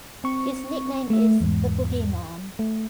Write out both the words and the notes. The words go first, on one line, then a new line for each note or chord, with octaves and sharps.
His nickname is the "Boogie-man".
C4 C#6
A3 E5
E2 G#2
A3